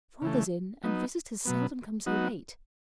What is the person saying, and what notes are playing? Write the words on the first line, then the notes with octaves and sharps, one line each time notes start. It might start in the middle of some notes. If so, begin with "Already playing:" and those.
"Father's in and visitors seldom come so late."
C#3 E3 A3
F#3 B3 D#4
B2 F#3 B3
F#3 B3 D#4 F#4